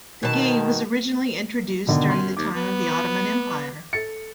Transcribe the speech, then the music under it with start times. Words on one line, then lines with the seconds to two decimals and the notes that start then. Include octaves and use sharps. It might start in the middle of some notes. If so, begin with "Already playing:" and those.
The game was originally introduced during the time of the Ottoman Empire.
0.23 B2 D#3 A5
1.87 B2 D3 D#3
2.10 F#2 C6
2.37 D#2 D6
2.55 B3
3.93 A4 A6 C#7